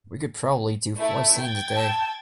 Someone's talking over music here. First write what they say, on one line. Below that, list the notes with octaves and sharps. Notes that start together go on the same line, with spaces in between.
We could probably do four scenes a day.
A3 E4
G5 G#6 A6
A5